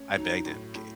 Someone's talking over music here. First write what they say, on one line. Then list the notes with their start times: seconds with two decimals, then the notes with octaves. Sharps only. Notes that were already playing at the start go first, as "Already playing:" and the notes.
I begged him. "Ca
Already playing: A3 C#4
0.16 F#3 D#4
0.46 A2
0.75 A2